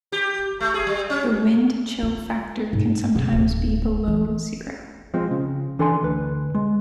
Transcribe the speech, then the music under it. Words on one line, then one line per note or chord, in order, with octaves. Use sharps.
The wind chill factor can sometimes be below zero.
G4
A3
G#4
G3
C#4
F4
G#2
C#3 A#3
D1
E3
F3 G#3 C4
C#3
E3 D4 A4 D5 G#5 C6
D2 B4
G#3